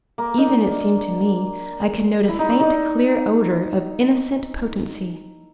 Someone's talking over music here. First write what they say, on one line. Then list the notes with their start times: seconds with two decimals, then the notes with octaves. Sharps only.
Even, it seemed to me, I could note a faint, clear odor of innocent potency.
0.18 A#3
0.38 D#4
0.48 D4
2.29 E4
2.39 D#4
2.50 D4
2.59 D#4